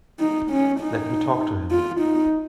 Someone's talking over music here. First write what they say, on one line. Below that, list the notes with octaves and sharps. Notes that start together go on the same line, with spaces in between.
Let me talk to him.
D#4
C#4
D#4
F4
D#4